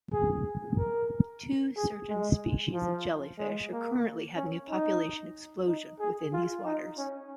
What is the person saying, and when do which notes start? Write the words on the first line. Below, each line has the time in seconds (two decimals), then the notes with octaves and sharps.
Two certain species of jellyfish are currently having a population explosion within these waters.
0.13 G#4
0.77 A#4
1.76 G#4
2.09 G#3
2.73 F3
3.38 G#3
3.72 A#3
4.36 C#4
4.70 D#4
5.67 D#4
6.00 G#4
6.33 F4
6.65 D#4
6.98 C#4